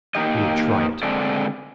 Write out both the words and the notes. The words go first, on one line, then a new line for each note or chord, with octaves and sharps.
He would try it.
A#3 D#4 G4 D#5
D3 G#3 C4 A4 D5